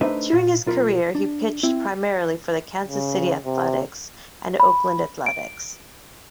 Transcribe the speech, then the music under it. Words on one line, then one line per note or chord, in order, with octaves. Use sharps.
During his career, he pitched primarily for the Kansas City Athletics and Oakland Athletics.
A3 D4 D#4 B4 C5 E5
A#2 F4
B1 F4 A#4 B5
D4
C4 E4
C#3
C3
B5
D7